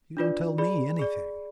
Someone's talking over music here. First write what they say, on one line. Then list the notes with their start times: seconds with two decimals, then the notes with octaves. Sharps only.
You don't tell me anything.
0.17 D4 F4 B4 D5
0.58 G#4 D5 B5
0.99 G#4 D5